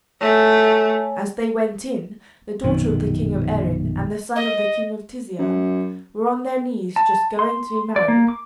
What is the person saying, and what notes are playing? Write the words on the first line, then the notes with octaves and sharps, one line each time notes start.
As they went in, the daughter of the king of Erin and the son of the king of Tisean were on their knees just going to be married.
A3 C#5 G#5
A#1 F#2 B2 D#3
D#5
F#2
A5
C6
D5
A#3
D6